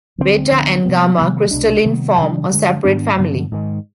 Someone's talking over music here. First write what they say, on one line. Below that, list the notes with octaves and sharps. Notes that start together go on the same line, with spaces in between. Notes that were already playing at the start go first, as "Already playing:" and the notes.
Beta and gamma- crystallin form a separate family.
D2 D3 G3 C4
D2 D3 F3 B3
C3 G3 B3
C3 D#3 G3 B3
C2 B2 G#3 D4
C3 D#3 G3 B3
C3 D#3 G3 D4
G2 D3 G#3
G#2 D#3 B3 D4
G2 D3 F3 B3
G#2 D#3 G#3